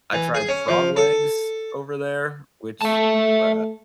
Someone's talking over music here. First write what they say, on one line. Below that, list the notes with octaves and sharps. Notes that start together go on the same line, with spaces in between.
I tried frog legs over there, which, w
E3
G#4
C#4
F3
A4
A3 E5 A5